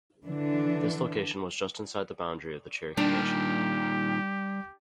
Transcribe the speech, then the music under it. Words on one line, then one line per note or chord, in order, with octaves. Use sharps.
This location was just inside the boundary of the Cherokee nation.
D3 E3 D4
A#2 D#3 G3 D4 G4